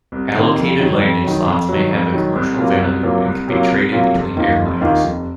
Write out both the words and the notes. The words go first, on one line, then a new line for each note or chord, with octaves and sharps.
Allocated landing slots may have a commercial value and can be traded between airlines.
C2
C3 D#3 A#3
F2
D#3 F#3
F2
D#3 F#3
F2
D#3 F#3
F2
D#3 F#3
C2
C3 F#3 A#3 F4
C2
C3 F#3 A#3 F4
C2
C3 F#3 A#3 F4
C2
C3 F#3 A#3 F4
F1
D#2 D#3 A#3 F4
F1
D#2 D#3 A#3 F4
F1